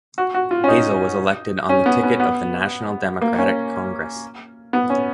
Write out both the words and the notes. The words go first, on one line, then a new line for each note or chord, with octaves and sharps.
Hazel was elected on the ticket of the National Democratic Congress.
F#4
F#4
F4
C#4
D#4
C#4
B3
B3
B3
A#3
C#4
B3
C#4